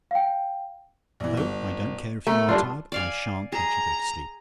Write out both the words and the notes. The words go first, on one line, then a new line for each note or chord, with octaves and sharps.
No; I don't care if you are tired, I SHAN'T let you go to sleep.
F5 G5
A#1 E3
G1
A3 A#4
G2 D4 F4
D5 F5 G#5
G#4 A#5